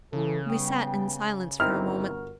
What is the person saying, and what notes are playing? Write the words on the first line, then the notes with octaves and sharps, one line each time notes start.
We sat in silence for a moment.
C#3 E3 A4
G3 B3 G5
G1 C4 D#4 E4 F#4 A#4 F6